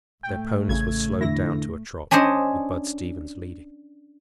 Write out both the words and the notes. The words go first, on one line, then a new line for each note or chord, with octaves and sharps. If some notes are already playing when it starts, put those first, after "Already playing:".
Their ponies were slowed down to a trot, with Bud Stevens leading.
A2 A3 G5
A1 C#3 G#6
E2 D3 E4 A#6
C#4 D4 G#4 C5 D#5